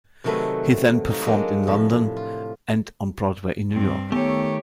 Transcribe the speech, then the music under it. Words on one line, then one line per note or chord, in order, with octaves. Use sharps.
He then performed in London and on Broadway in New York.
C3 D#3 F#3 A3 G#4 B4
D#4 C#5 F5
F#3 G#3 A#3 D4 F5
A2 C3 F3
F4
G2 C4
D#3 A3 B3 G4 C#5